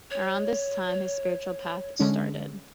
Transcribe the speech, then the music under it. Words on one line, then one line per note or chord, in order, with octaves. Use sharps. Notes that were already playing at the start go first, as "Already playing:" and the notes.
Around this time, his spiritual path started.
C#5
D3 G#3 C#4